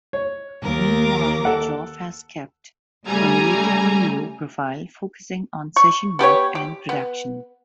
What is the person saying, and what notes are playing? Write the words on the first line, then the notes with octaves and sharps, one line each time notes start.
Meanwhile Joff has kept a relatively low profile, focussing on session work and production.
C#5
D#2 A#4 D6
A4 F#5
C#3 G3 A3 G#5 A#5
C#6
B3 G4 B4 C#5
G4
B3